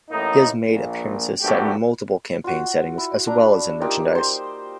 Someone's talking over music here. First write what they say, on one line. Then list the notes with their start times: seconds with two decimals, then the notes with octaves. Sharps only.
He has made appearances set in multiple campaign settings as well as in merchandise.
0.11 A1 A2 A#3 D#4
0.69 A#1 A#2
1.42 A#1 G2 A3 B3 F#4 G4
2.44 F4 F#4
2.98 E4
3.27 D4 A#5
3.81 A#3 D#4 F4 G4
4.15 C5 C6